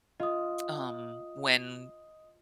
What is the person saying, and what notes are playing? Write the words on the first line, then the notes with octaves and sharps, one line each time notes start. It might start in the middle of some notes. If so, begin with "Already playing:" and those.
um, when
F4 D#5 D#6